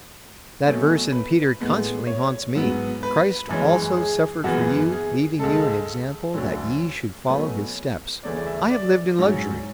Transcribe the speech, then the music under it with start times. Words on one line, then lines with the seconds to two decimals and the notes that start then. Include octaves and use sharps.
That verse in Peter constantly haunts me: 'Christ also suffered for you, leaving you an example that ye should follow His steps.' I have lived in luxury.
0.65 B2 F#3 A3 C#4
1.12 B4
1.60 A2 G#3 B3
2.07 C#5
2.55 G#2 F#3 B3
3.03 B4
3.49 F#2 E3 G#3 C#4
3.97 G#4
4.44 F#2 C#3 E3 B3 F#4
4.92 G#4
5.39 C#2 C#3 G#3 A4
6.34 D2 D3 F#3 C#4
7.28 B2 F#3 A3 C#4 B4
8.23 D2 C#3 E3 A3 C#4 D5
8.36 D5
8.47 E5
8.70 D5
9.19 G#2 F#3 C#4